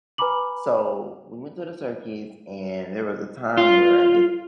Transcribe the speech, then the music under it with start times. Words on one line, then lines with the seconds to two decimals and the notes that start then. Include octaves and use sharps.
So, we went to the circus, and there was a time where, I guess,
0.18 B4 G#5 A#5 B5 D6 F#7
3.58 F4